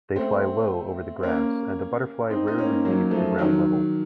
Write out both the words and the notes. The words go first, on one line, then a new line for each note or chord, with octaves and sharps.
They fly low over the grass and the butterfly rarely leaves the ground level.
A3 C4
C4
A#3 C#4
C4 D#4
D#4
A#3 C#4
F#3 A#3
F3 A3
D#3 F#3